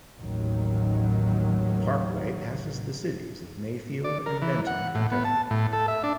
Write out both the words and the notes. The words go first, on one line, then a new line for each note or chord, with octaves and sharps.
The parkway passes the cities of Mayfield and Benton, Kentucky.
A1 D#2 D#3 F#3
D5
A#4
E3
F#5
A2
B3
A5
A2
A4
E5
D4